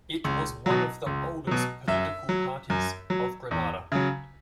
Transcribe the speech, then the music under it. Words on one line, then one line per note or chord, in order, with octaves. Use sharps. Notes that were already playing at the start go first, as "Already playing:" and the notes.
It was one of the oldest political parties of Grenada.
C#2
B2 F#3
C#2
B2 F#3
F#2 E5
F#3
F#2
F#3
E2
C#3 F#3